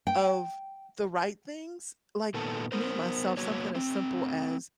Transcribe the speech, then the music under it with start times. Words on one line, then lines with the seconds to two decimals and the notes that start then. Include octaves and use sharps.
of the right things, like, e me, myself, something as simple as
0.07 G5
2.34 A#2 D#3 B3 A4
2.72 B3 A#4 C5
3.37 F#3 A#3 B3 C#5
3.75 A3 C4